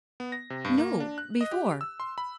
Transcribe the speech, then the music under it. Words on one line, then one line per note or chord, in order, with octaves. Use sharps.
"No, before."
B3
A#6
C3
G2
A#3
D4
F#6
D#5
G4
E6
C6
B5